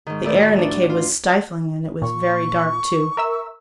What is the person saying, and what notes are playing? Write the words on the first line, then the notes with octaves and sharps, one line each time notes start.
The air in the cave was stifling, and it was very dark, too.
G#2 D#3
A2 D#3 A4 D5
F#4
D4
F4
A#2 C#6
A#4 E5 E6